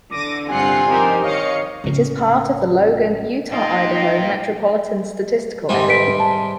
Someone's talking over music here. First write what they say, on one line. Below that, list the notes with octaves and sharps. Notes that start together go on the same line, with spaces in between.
It is part of the Logan, Utah-Idaho Metropolitan Statistical Area.
E2 D3 D6 A#6 D#7
G2 C3 F4 F#5 G#5 F#6 C7
F3 C4 D#4 G4 A#4 C5
D#3 C#5 D#5 F5 C#7
A1 C#3
A#2 D#4 F4 D#5 G5
G#2 C3 G3
B4 B6 D7
A5